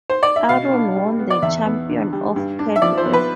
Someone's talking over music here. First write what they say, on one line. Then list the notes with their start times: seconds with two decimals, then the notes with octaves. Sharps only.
Aron won the Champion of Cadwell.
0.10 C5
0.23 D5
0.36 E5
0.49 B2 F5
0.73 D4
0.96 G3
1.19 B3
1.30 D5
1.42 E2 E5
1.65 B3
1.89 D3
2.13 G3
2.36 G2
2.59 D4
2.76 E5
2.82 F3 D5
2.98 C5
3.05 B3
3.13 B4